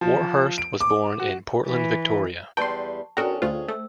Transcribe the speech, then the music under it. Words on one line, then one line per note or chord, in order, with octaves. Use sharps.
Warhurst was born in Portland, Victoria.
F3
D7
D6
F#4
E3
E2 G3 B4 G5 A5 C6 C#6
E2 C#4 D4 F#4 A4 A#4 G5
D2 A3 C#4 F4 G#4 C5
A3 E6